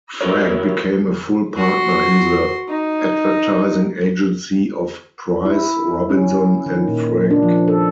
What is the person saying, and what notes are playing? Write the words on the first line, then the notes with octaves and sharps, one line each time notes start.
Frank became a full partner in the advertising agency of Price, Robinson and Frank.
E4 F#4 A#4 C#5
F#4 C6
D#4
E4
C#4
D#3
A#2
D4
F3
A4